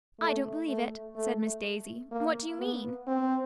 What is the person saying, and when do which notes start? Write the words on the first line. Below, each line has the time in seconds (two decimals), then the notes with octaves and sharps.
I don't believe it!" said Miss Daisy. "What do you mean?
0.20 A3
0.68 A3
1.16 A3
2.11 A#3
2.59 B3
3.07 C4